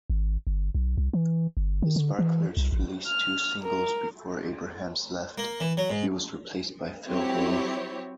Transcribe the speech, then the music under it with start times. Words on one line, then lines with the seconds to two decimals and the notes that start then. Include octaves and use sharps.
The Sparklers released two singles before Abrahams left, he was replaced by Phil Grove.
0.10 G#1
0.47 G1
0.75 B1
0.97 C2
1.13 E3
1.57 G1
1.82 D#3
1.96 D3
2.19 E3
2.57 C2
2.72 A1
3.07 F6
3.62 A#4
5.38 A#3
5.60 E3
5.77 F#3
5.90 G#2
7.07 F#3 C4 E4 G4 C#5